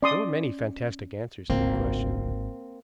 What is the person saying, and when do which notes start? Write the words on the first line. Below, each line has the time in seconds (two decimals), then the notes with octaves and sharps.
There were many fantastic answers to the question.
0.02 C#4 D5 C6 D#6
1.50 D1 G#1 C#2 A#3 C4